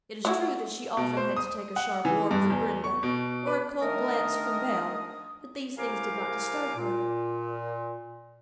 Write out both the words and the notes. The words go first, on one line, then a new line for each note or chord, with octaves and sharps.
It is true that she often had to take a sharp word from Brenda, or a cold glance from Belle, but these things did not disturb her.
A3 E4 F#4
B2
C5
D#6
F#5
E3
G2
E2
C#6
B2
B4
D#3 A3 D4 A#4 D#6
C2 A#4 C5 F5 G#5 D6
A#2